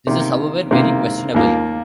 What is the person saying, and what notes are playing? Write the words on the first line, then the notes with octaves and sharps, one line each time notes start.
This is, however, very questionable.
C3 D#3 A#3
C3 D#3 A#3
D#2 D#3 A#3 F4